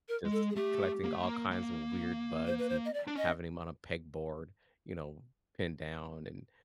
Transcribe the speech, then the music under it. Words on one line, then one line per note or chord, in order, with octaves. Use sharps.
just collecting all kinds of weird bugs and having 'em on a pegboard, you know, pinned down and
A#4
G#3
A4
G#4
A3 G4
A#3
A3
A#3
A#3
C5
B4
C5
D#5
D5
D4
C#4 D#5